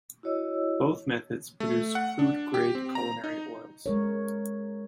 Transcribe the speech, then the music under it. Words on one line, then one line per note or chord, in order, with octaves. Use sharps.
Both methods produce food grade culinary oils.
E4 F#4 C#5 D#5 E6
A3
F#5
D4
G4
C4
A#5
D#4
G#3 A#4 C#5